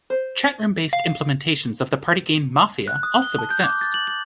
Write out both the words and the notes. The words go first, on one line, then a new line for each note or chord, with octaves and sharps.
Chatroom-based implementations of the party game "Mafia" also exist.
C5
F5
F#6
D#6
G7
A5
G6
D6
A6
F#7
F#7